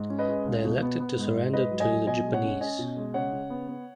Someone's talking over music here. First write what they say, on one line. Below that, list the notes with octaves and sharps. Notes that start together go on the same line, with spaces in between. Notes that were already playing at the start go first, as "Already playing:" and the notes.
They elected to surrender to the Japanese.
Already playing: G#2
C#4
B4 D#5
G#3
C#2
B2
B3
B3
G#2
G#2
G#2 B4 D#5
F#3
D#5 G#5
F#3
B2 D#5 G#5
G#3
C#5 F#5
C#4
C#4 D#5 G#5
B2
G#3
C#3 C#5 F#5
C#3
B3
B3